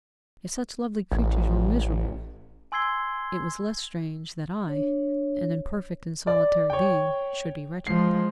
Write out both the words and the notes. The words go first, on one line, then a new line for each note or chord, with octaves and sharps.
If such lovely creatures were miserable, it was less strange that I, an imperfect and solitary being, should be wretched.
A1
G#5 C6 E6 G#6 C7 G7
D4 C#5
D5
C#5 G5
F3 G#3 C7